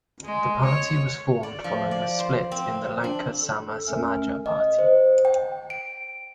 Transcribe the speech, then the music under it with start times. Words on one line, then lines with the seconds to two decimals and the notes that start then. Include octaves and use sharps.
The party was formed following a split in the Lanka Sama Samaja Party.
0.24 G#3
0.64 C#5
1.43 D5
1.64 F3
1.91 D5
2.19 C5
2.52 C4
3.04 D4
3.41 A4
3.88 A3 C#4 A#4
4.46 D#5
4.79 C5
5.25 G5
5.70 D7